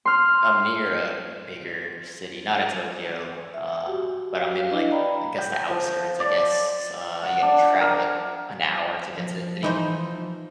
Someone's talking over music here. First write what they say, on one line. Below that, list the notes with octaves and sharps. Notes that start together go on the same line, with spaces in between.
I'm near a bigger city, not in Tokyo, uh, but I'm in, like, I guess the outskirts, I guess. Uh, you gotta travel, like, an hour to get to the city.
C6 F6
E5
F#4 G4
F#4 F5
D4 E4 B4 D#5
D5 G5 A#5 B5
G5
F3
D5
F#5
D4
A#4
F3
E3 D#4 C5